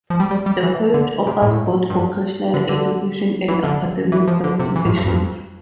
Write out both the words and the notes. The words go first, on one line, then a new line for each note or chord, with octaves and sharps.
The college offers both vocational education and academic qualifications.
F3
G3
G3
G3
E3
D3
C3
A2
G2
D3
D3
E3
D3
E3
F3
D3
C3
E3
A2
G2
F2